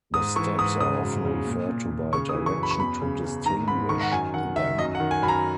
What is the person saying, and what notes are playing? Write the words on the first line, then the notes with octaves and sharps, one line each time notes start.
The steps are often referred to by direction to distinguish them.
G#2 D#6
E3 C#6
G#2 D#6
C#3 D#6
F#2
C#3
A#2
A#2
A#2
C#3 C#6
D#6
E3
C#6
F#2
B5
C#6
E2 B5
C#3
E2
D#3 A#5
G#2 B5
D#3 C#6
F#5
F#2 G#5
D#3 F#5
D#3 E5
F#2 D#5
F#5
D#3
G#5
F#2 B5
A#5